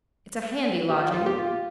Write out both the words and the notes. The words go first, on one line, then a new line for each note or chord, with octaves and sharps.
It's a handy lodging.
G4
F4
F4
G4
F4